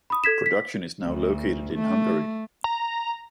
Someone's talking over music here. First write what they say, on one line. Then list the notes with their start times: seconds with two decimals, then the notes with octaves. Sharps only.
Production is now located in Hungary.
0.10 B5 D#6
0.24 A4 G#6 B6 E7
0.46 B6
1.03 D2
1.74 A3
2.64 A#5